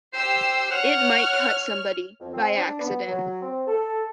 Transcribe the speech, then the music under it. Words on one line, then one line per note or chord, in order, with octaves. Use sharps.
It might cut somebody, by accident.
G4 C5 E6 C7
C#5 F#5 F6
F2
C4
D4
B3
F#3
C4
A4